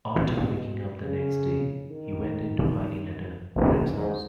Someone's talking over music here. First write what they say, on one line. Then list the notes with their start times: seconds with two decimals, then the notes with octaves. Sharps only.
After waking up the next day, he went into hiding at a friend's house.
0.16 B2
1.03 C#3
1.90 D#3
3.64 C#3
3.92 G#2